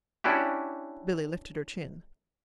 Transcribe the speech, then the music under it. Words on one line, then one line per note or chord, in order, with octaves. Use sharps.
Billy lifted her chin.
C#4 D4 E4 F#4 G4